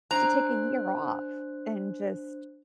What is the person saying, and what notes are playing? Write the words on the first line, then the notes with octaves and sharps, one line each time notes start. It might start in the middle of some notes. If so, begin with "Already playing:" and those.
to take a year off, and just,
D4 C5 A#5 F#6